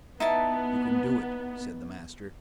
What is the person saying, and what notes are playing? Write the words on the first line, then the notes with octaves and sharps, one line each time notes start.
"You can do it," said the master.
B3 D#4 E4 A5